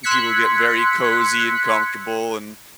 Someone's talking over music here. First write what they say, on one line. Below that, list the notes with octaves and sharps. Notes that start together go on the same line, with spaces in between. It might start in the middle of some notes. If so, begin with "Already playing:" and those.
people get very cozy, and comfortable, and
C6 E6 F#6 G#6 B6 C#7